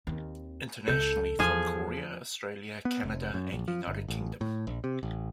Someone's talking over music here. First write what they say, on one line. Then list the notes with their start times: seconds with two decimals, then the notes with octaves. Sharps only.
Internationally from Korea, Australia, Canada and United Kingdom.
0.07 D#2 C4
0.88 C#2 C#3 A4 G6
1.39 E2 F3 G#4
2.85 B3
3.03 F1
3.34 F#2
3.53 A#1
3.68 F3
3.87 G1
4.08 A1
4.41 A2
4.67 A#1
4.84 C3
5.03 A1